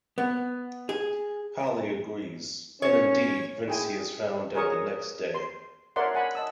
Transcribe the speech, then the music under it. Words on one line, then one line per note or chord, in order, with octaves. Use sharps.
Holly agrees, and indeed Vincey is found dead the next day.
B3
G#4
C#4 C#5
E4 G#4 G5 G#5
G#4 A#4 C#5 G#5 C#6 D#6
C6
A#4 C#5 D5 E5 F#5 C6
F#5 G#5 B5
D#5 A5 E6